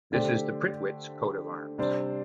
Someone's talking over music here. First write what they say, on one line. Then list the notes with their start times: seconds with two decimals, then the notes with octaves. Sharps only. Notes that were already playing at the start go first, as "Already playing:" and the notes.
This is the Prittwitz coat of arms.
0.12 D3 A3 D4 G4 C5
1.78 C3 G3 D4 C5